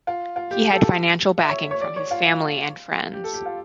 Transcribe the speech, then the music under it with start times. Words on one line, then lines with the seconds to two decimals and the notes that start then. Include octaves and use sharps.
He had financial backing from his family and friends.
0.07 F4
0.36 F4
0.51 G4
0.62 G4
0.72 A4
0.83 A4
1.38 E5
1.49 C#5
1.71 C#5
1.81 D5
1.96 C#5
2.11 F4
2.25 F4
3.13 G4
3.24 A4
3.34 G4
3.46 F4